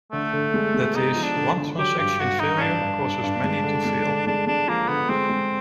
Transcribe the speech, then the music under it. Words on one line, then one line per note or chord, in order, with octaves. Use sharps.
That is, one transaction's failure causes many to fail.
D3 A3
D3
G#3
G#3
B3 D#4
F3
D4
D3
D3
F#3 G4
G2 G4
G2 F#4
G2 D#4
C#4
G2 D4
G2
G2
G2
G#3
D3
G#3
D3
G#3 D4
G#3 D4
F3 A#3
D3 B3
G#3 C4
G#3